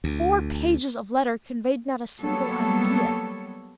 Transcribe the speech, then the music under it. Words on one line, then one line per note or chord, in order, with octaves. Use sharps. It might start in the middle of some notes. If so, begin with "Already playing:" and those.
Four pages of letter conveyed not a single idea.
D2
F#3 G3 A#3 B3 A4 C#5